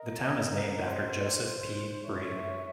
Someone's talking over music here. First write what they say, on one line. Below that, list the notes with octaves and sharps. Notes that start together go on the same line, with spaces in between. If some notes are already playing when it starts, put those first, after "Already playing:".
The town is named after Joseph P. Braden.
Already playing: A#4 D#5
C5
C#5 E5